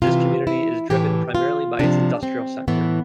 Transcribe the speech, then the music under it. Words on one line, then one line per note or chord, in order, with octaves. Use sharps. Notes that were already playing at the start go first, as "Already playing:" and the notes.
This community is driven primarily by its industrial sector.
C3 F4
E3
E4
A2 E3 G4
F4
C3 F3 D4
C4
A2 E3 B3